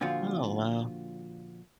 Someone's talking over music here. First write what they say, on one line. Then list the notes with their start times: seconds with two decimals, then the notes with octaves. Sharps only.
Oh, wow.
0.01 A#2 D3 F3 F4 F#4